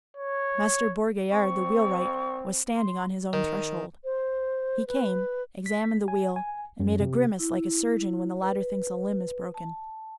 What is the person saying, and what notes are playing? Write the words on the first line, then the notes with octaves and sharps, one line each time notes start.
Master Bourgaillard, the wheelwright, was standing on his own threshold. He came, examined the wheel and made a grimace like a surgeon when the latter thinks a limb is broken.
C#5
C4 C#6
C6
D#3
C5
B4
B6
G#5
G#5
F#2
C3
E4
B4
A5